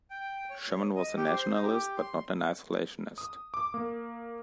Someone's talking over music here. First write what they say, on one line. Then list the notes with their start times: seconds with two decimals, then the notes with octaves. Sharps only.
Sherman was a nationalist, but not an isolationist.
0.11 G5
0.50 C#5
0.96 D#5
1.17 G4
1.33 C5
1.51 D#4
1.63 G4
1.97 C6
3.18 D#6
3.54 D6
3.74 A#3